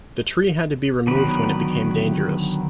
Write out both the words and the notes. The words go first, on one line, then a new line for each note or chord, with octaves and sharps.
The tree had to be removed when it became dangerous.
D3 D#3 F#3 B3 B4